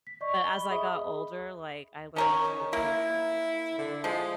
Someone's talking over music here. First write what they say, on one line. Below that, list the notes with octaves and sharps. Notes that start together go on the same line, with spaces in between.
as I got older, like, I learned to appreciate it, so
B6
D5 D#5 C#6
G7
B5
G#4 D#5 E5 B5 D#6
D#3 C#4 A#4 C#5
A#3 E4
D3
F3 G#3